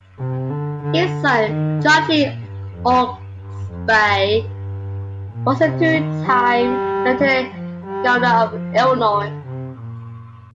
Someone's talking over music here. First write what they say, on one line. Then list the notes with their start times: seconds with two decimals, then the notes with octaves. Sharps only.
His son, John G. Oglesby, was a two time Lieutenant Governor of Illinois.
0.19 C3
0.50 D3
0.83 D3
1.47 D#3
1.79 D3
2.10 A#2
2.42 G2
2.74 F2
3.06 G2
3.39 G2
3.71 F2
4.03 G2
4.34 G2
5.31 A#2
5.63 C3
5.95 D#3
6.27 G3
6.58 G3
7.23 G3
7.55 F3
7.86 G3
8.19 F3
8.51 F3
8.83 D3
9.14 D3
9.46 C3
9.78 A#2